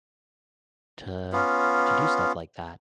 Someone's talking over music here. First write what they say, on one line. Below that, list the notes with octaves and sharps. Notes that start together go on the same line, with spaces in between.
to to do stuff like that.
B3 C#4 F4